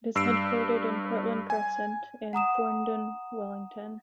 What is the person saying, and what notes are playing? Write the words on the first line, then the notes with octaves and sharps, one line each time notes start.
It is headquartered in Portland Crescent in Thorndon, Wellington.
G2 E6 C7 D7
G#5
F#5 A#5 D#6 E7